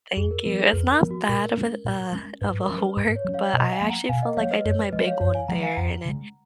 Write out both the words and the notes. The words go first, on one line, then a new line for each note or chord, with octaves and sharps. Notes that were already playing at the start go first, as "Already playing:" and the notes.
Thank you. It's not bad of a, uh of a work, but I actually feel like I did my big one there, and it,
F2 G#4
A#4
F3 B3 A#4
G#4
F2 B4
A#4
F3 B3
F#4
A#2 A#4
G#3 C#4
A#2
G#3 C#4
G#2 B4
A#4
F#3 C#4
B4
G#2 B4
C#5
F#3 C#4
C#5 F5
B2 B4 D#5
F5 G#5
F#3 A#3
F#5 A#5
B2 F5 G#5
D#5 F#5
F#3 A#3 C#5 F5
B4 D#5
F#2 C#5
B4
F3 G#3 B4 D#5
C#5 F5
F#2 C#5
F5 G#5
F3 G#3 F#5 A#5
F5 G#5
F2 F#5 A#5
C#3 G#3